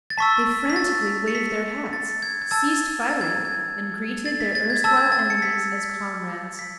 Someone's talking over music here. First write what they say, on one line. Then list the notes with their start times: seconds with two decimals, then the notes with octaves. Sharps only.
They frantically waved their hats, ceased firing, and greeted their erstwhile enemies as comrades.
0.10 A6
0.18 A5 C#6 E6 B6
0.70 B6
0.76 A6
1.28 C#7
1.35 B6
1.93 A6
2.23 G#6
2.42 G#6
2.51 A5 E6 A6
3.09 A6
3.21 G#6
3.45 G#6
4.25 A6
4.40 B6
4.55 A6
4.70 G#6
4.84 A5 E6 A6
4.97 G#6
5.12 A6
5.30 C#7
5.42 B6
6.59 B6